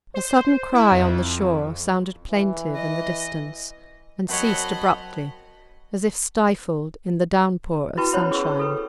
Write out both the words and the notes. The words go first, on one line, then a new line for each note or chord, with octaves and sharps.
A sudden cry on the shore sounded plaintive in the distance, and ceased abruptly, as if stifled in the downpour of sunshine.
C5
E4
F2
E3
D#5
F#2 F#3 C4 F#4 C#5 D#5 A5 B5
E4 F#4 B4 G5 A5 C#6
C#4 E4 C5 C#5 F#5 B5
G#4 C#6 E6
A4 B4 G5